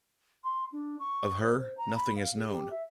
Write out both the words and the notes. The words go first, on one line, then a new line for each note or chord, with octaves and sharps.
Of her, nothing is known.
C6
D4
C#6
C5
C5
A#5
B5
F5
G#4
G4
E5